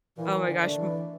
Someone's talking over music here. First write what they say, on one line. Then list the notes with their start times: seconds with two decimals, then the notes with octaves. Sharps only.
Oh my gosh, m
0.17 A#2 E3
0.46 D3
0.61 A3 D4
0.75 E3